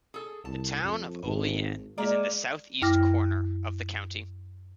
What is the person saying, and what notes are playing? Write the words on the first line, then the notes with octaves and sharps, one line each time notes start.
The town of Olean is in the southeast corner of the county.
G#4 A4
C2 A5
F2
G#1
G#3 A#3 D5
F#2 E4 G5 D6 F6 A#6